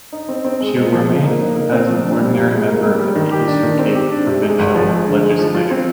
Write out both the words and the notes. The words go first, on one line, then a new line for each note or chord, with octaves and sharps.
She will remain as an ordinary member of the Eastern Cape provincial legislature.
D#4
C4
C4
G#3
G#3
F3
D#4
A#3
D#4
A#3
C4
F3
D4
G3
C3
G#3
A#3
G3
G3
D#3
G4
D4
D#3
C4
G4
D4
C3
G#3
G#1
F3
G#3
D3
G#3
F3
F4
C4